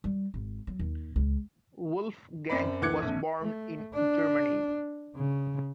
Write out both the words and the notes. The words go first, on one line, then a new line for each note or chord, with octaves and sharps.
Wolfgang was born in Germany.
G3
G#1
F#3
D#2
C#2
F#2 C4 D5 B5
D2 E3 D6 F#6 G#6 C#7
A#1 F2
A3
D4
C#3